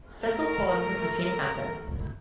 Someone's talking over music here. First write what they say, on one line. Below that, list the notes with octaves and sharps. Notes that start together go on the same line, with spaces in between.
Cecil Horne was the team captain.
A3 A#4